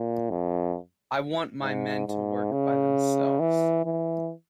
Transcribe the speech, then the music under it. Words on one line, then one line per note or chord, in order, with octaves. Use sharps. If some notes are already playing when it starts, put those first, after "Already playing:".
I want my men to work by themselves.
Already playing: A#2
F2
G#2
G#2
C#3
E3
E3